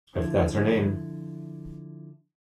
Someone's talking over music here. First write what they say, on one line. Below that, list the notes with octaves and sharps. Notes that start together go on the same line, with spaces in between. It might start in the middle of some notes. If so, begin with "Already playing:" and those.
If that's her name.
D3 F3 E4